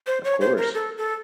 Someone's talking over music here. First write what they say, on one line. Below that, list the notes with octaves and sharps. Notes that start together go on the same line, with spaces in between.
Of course.
C5
C#5
C5
A#4
A4
A4